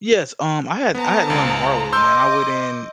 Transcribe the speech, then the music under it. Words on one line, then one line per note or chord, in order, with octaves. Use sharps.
Yes, um, I had I had to learn the hard way, man. I went in
B3 C5 A5 A#5
C#2
D#5 C6 D6 E6 G6